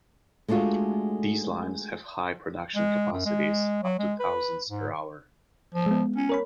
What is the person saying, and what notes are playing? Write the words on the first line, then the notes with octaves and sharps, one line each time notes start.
These lines have high production capacities, up to thousands per hour.
G#3 A3 D4 F4 F#4
G#3
F#2
G#3
F#3
G#3
B4
G#2
F3
G#3 B3
C#4
A#4 C#5 B5